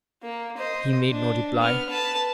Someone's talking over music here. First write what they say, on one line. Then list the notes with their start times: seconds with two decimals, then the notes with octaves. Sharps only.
He made no reply.
0.23 A#3
0.57 C5 D#5
1.11 D4
1.58 B3 F6
1.90 B4 A5